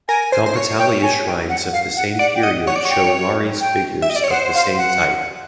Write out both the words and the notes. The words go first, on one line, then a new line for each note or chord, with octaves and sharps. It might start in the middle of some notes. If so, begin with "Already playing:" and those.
Compitalia shrines of the same period show Lares figures of the same type.
A#4 G#5
C5
C5
C#5
G5
G#5
G5
F#5
F5
F#5
D5 F#5
G5
D#5 F#5
C#5 F#5
D5
C#5
G5
G5
E5
D#5
D5
C#5
C5 F#5
F5
F#5